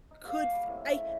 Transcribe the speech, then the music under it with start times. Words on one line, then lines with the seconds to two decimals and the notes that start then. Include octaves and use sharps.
could f I,
0.11 D#4
0.24 A#3 F4 F#4
0.52 G3
0.66 A2 C3
0.81 C#3 A3
1.05 D#3 E3